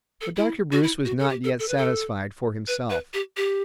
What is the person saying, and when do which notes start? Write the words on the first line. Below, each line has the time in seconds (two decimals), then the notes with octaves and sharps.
But Dr. Bruce was not yet satisfied for himself.
0.21 A4
0.37 E4
0.72 F#4
0.83 E4
1.05 F#4
1.20 A4
1.29 G4
1.44 A4
1.59 A4
1.68 B4
1.77 A4
2.68 B4
2.90 B4
3.14 G4
3.37 G4